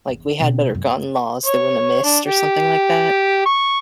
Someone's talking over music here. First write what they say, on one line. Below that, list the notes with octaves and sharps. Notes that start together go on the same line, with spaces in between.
like, we had better gun laws, they wouldn't have missed," or something like that,
G1 E2
B2 C4
F1 F#2
F#1
C#5
D4
G4
C#6